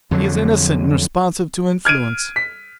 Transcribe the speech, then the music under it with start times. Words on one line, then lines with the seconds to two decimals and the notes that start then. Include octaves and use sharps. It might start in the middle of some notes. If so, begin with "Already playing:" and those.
He is innocent and responsive to influence.
0.11 F2 D3 F#3
1.85 F6 G#6 D7 D#7
2.36 B6